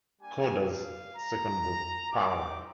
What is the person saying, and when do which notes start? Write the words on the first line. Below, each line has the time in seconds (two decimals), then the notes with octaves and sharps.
Korda's second book, Power!
0.21 G3 A#3 D4 G4 G#5
0.68 F5
1.16 A#5
2.12 C4 D#4 G4 D6